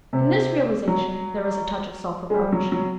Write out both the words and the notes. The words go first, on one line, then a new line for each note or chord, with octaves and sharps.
In this realization there was a touch of self-reproach.
C3
F#3
G#3
G3
F#3
F#3